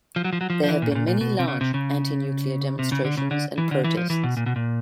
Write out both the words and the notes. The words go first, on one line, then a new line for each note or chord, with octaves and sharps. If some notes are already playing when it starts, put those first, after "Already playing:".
There have been many large anti-nuclear demonstrations and protests.
F3
F#3
F3
F#3
F3
F3
E3
A#2
A2
A#2
A#2
B2
C3
C#3
C3
C#3
C3
C#3
D3
C#3
D3
E3
D3
E3
F3
E3
B2
A#2
B2
A#2